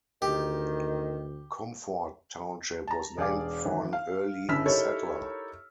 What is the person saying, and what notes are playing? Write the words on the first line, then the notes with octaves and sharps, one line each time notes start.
Comfort Township was named for an early settler.
D2 D#3 G4
A5 A#5
E1 G#4 D5 F5 D6
G#1 E3
F5
G1 C#3 E4 E6 F6 B6
D#4 E4 G4 A4 A#4 C#5